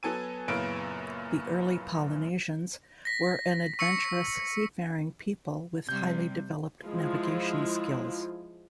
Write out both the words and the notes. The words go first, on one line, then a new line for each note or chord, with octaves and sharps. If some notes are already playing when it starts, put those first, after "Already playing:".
The early Polynesians were an adventurous seafaring people with highly developed navigation skills.
F#3 B3 A4 G#5 D#7
F#2 A#2 C#3 B3 E4 D7
A#6 B6
C#6 E6 B6 C#7
C3 G3 G6
F3 G#3 E4 F4